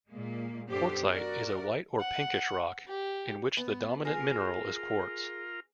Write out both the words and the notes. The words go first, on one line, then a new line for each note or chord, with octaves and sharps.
Quartzite is a white or pinkish rock, in which the dominant mineral is Quartz.
A#2 G#3 A#3
F#2 B3 D4 G4 A4 C5
F#4 A#4 D5
F#5
G4
B3
F4 G#4 A#4